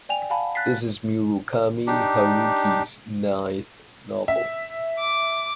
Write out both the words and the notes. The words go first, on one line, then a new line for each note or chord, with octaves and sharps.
This is Murakami Haruki’ s ninth novel.
D5 G5 G#5 F7
F5 F#5 G#5 A5 B5
F#6 A6 B6 C7
D4 D#4 G4
E5
D6